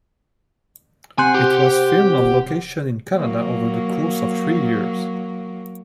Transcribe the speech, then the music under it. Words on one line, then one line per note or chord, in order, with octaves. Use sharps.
It was filmed on location in Canada over the course of three years.
C3 C5 F#5 G#5
G4
F#3 A#3